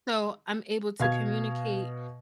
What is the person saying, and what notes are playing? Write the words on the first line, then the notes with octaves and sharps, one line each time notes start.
so, I'm able to communicate
B2 F5 G#6